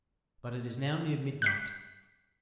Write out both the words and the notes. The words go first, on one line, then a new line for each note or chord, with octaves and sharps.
But it is now near midnight.
F#6 G6 B6